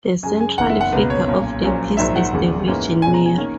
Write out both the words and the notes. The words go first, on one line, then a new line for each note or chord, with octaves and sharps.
The central figure of the piece is the Virgin Mary.
F#2 C#3 G#3 G#5
G#5
F#1 E2 D#3 A#3 F#5
E5
F#5
C#2 B2 A#3 B4
C#5
B1 A#2 A#3 C#4
A#1 A#2 F#3 C#4
A#1 G#2 D#3 F#3 E5
F#5
E1 D#2 C#3
G#2 E3 A#3 C#4
E2 B2 G#3 C#4 G#5
A#5
G#5
D#3 A#3 C#4